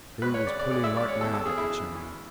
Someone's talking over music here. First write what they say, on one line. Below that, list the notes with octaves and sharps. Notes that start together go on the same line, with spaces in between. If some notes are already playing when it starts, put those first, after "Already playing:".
True was pulling like mad at the chain.
C#2 B4
C#5
C#3 D5
D5
G#3 D5
E5
C#2 D5
C#5
E2 A4
A4
C#3 G#4
E4
E3
E3